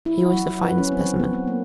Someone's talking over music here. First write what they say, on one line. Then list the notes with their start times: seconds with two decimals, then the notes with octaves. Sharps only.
He was a fine specimen.
0.06 E4
0.21 F#4
0.34 F#3
0.48 F#4
0.63 B4
0.78 C#4
0.92 C4
1.19 B3
1.33 C4
1.48 A#3